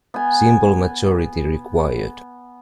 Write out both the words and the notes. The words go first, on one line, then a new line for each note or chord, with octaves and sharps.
Simple Majority required.
B3 G#5